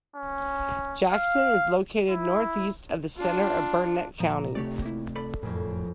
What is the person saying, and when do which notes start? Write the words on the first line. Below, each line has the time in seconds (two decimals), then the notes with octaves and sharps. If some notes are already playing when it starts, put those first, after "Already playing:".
Jackson is located northeast of the center of Burnett County.
0.16 C#4
1.12 F5
2.09 E4
3.16 D4 F4
4.20 A#2 F3 A#5
4.55 C3 A3 G4 C#5 D5
4.82 A#3 E4
5.16 A4 D5 B5
5.43 F#1 F2 A2